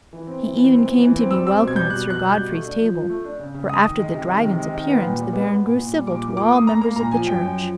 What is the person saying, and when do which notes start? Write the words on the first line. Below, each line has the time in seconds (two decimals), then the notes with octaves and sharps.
He even came to be welcome at Sir Godfrey's table; for after the Dragon's appearance, the Baron grew civil to all members of the Church.
0.13 E3
0.27 C4
0.42 E3
0.57 E3
0.72 C4
0.87 E3
1.01 E3
1.17 C4
1.31 G3 E6
1.47 C4 E6
1.61 B2
1.68 G#6
1.76 G3 G6
1.90 B2 F#6
2.05 B2 F#6
2.20 G3
2.30 G6
2.36 B2
2.51 A3
2.65 D4
2.80 F3
2.95 F3
3.10 A3
3.24 D4
3.39 C#3
3.54 C#3
3.69 G#3 D#6
3.84 D#3
3.99 G#3
4.14 C3
4.29 D#3
4.44 C3
4.59 G#3
4.73 D#3
4.88 B3
5.03 A#2
5.18 G3
5.33 B3
5.48 B3
5.63 A#2
5.77 A#2
5.93 G3
6.07 A#2 D6
6.22 F3 D6
6.37 A#3 D6
6.51 A#3 D#6
6.67 A#3 A#5
6.81 A#3 A#5
6.96 A#2 A#5
7.12 F3 G#5
7.27 F#2 G5
7.42 F#2
7.56 F3